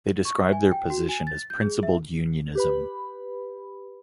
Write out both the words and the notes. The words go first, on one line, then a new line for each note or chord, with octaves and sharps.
They described their position as principled unionism.
C#6
E5
G#5
G5
F#4
G#5
A6
G6
G#4
E5
G4 B4 B5